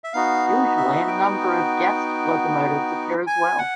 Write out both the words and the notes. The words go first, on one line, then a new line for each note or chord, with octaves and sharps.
Usually a number of guest locomotives appear as well.
E5
B3 D#4 F#4 F5
E5
G5
G#5
F#5